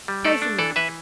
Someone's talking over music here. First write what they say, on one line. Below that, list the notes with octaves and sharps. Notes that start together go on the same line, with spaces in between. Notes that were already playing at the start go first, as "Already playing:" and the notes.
Pray for me!
G3
A3 A4 D5
D4
E3 A4 D5
E3 B4 E5